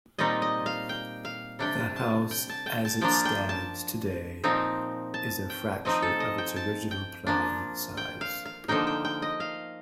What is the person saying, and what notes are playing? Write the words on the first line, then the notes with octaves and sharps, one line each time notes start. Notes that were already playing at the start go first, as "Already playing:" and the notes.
The house as it stands today is a fraction of its original planned size.
A#2 G3 C4 D#4 D#5
D#5
F5
G5
F5
C3 G3 D4 G5
A5
G5
A5
G5
A5
F3 A#3 D4 G5
G5
A5
A#2 F3 C4 D#4
A5
G5
F3 C4 D#4 D#5
A4
D#5
G5
A5
G5
F3 A#3 D4
G5
F5
F5
D3 F3 A#3 D#4 G5
G5
G5
D#5
F5